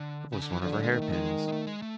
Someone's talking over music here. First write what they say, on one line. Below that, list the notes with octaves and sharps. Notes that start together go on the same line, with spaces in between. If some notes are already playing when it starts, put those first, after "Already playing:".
It was one of her hairpins.
Already playing: D3
C#3
D3
E3
D3 F3
F#3
G#3
D#3 A3
A3
G#3
G#3
A3
G#3
A3